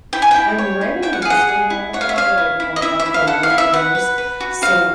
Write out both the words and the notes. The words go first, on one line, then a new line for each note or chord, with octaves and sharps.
I'm writing a mystery novel now that I've been working on for a million years, so
E4 G5
G#5
E4 G5
C#5
E4
C#5 G5
F#5
F5
G#4 F#5
G#4
E4
C#5 F#5
F5
E5
C#5 F5
E4
E4
D#5
E4 E5
E5
E4
F5
A4 F#5
F5
E4
E5
B4 F#5
B4
B4
F#4
F#4 F5